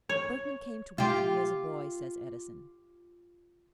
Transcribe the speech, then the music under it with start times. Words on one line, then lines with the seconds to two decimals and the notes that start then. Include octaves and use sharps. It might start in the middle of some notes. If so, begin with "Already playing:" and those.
"Bergmann came to work for me as a boy," says Edison.
0.09 C#5
0.98 F4 G4